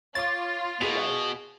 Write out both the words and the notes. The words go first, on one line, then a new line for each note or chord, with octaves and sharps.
You're right.
F4 C#5 D6 A6
B2 G#4 F7